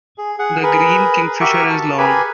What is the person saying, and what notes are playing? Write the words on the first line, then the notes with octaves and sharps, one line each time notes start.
The green kingfisher is long.
G#4
G#4 F#5
G#4 A#4 B4
F#4 G4 A#4 E5 C#6
A5
G4 G#4 A#4 B4 G#5 B5